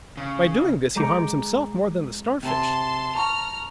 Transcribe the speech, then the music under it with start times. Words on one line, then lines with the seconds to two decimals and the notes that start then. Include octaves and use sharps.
By doing this he harms himself more than the Starfish!
0.17 C#3
0.96 G#3 A#5 D6 G6 C#7 D7
2.43 C3 A5 C6
3.15 A5 A#5 C#6 F6